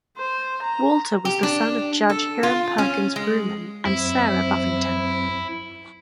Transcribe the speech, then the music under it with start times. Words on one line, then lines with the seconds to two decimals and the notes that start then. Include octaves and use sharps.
Walter was the son of Judge Hiram Perkins Vrooman and Sarah Buffington.
0.17 C5
0.63 A#5
1.25 G4
1.43 D4
2.10 A4
2.43 F4
2.78 C#4
3.16 G#3
3.85 F#2 C4 E4